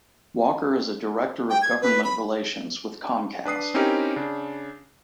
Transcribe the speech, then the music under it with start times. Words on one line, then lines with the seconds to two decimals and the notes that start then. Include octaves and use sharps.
Walker is a director of government relations with Comcast.
1.50 G5
1.62 G#6
1.82 B4
2.04 B5
3.45 D4 B4 D#6 C7
3.74 C4 C#4 D#4 E4 G4 A#4
4.16 C#3 D4